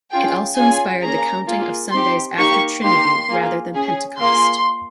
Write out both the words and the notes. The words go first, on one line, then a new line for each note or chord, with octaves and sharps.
It also inspired the counting of Sundays after Trinity rather than Pentecost.
C#4 F4 G#4 G5
C#4 F4 G#4 G#5
A#3 C#4 G#4 A#5
A#3 F4 G#4
C4 D#4 G4 C6
A#3 D#4 G4 C#6
A#3 D#4 G4 C6
A#3 F4 G#4
C#4 G#4
A#3 F4 G#4 C6